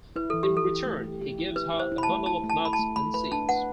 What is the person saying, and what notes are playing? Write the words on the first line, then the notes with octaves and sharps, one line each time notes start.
In return, he gives her a bundle of nuts and seeds.
E4 B4
E3 A4
G4
E3
A4
G4
A3
G4
G4
E4
G4 B4
E4
C5
E4
B5
A5
A3
E4 A5
A3
A5
E4 B5
A5
A3
A3 B5
B4 B5
D4 A5
B4 F#5